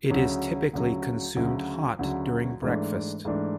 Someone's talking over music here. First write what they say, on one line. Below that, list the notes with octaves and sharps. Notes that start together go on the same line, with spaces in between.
It is typically consumed hot during breakfast.
D2 C#3 F#3
D2 C#3 F#3
D2 C#3 F#3
D2 C#3 F#3
G#2 E3 A3 D4
G#2 E3 A3 D4